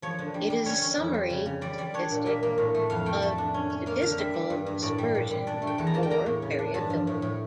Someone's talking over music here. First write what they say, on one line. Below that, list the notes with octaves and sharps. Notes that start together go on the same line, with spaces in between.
It is a summary statistic of statistical dispersion or variability.
F3 C#5
D3
G3
G3
C#4 C#5
C#4
F2
G3
C#3
C#3
G3 D5
G3 D5
D4 C#5
A#2
A#3 E5
A#3
A2
A3
F2 F5
A3 G5
A3 A5
D4
C#4
C#4
A#3 F5
D3 F5
G3 E5
G3
G2
G2
A2 D5
G3
A#2
G3
D4 D5
A3
G5
E2 A5
A#5
A#3 A5
G5
A#3 A#5
A2
C#3
D4
G2 A5
F3
A2
A2